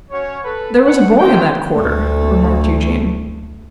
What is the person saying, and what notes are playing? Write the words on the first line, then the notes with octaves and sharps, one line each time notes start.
'There was a boy in that quarter,' remarked Eugene.
C#4 F#4 C#5
A4 B4
F#5
D#3 C4 G4 G5
D2 A3